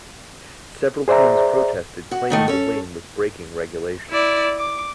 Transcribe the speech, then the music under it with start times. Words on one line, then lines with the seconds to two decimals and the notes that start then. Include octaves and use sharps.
Several teams protested claiming the wing was breaking regulations.
1.08 G#4 C5 D5 E5 A#5
2.11 F#4
2.30 G#2 D#3 A3
2.48 C#4 A4
4.11 E4 D5
4.58 D6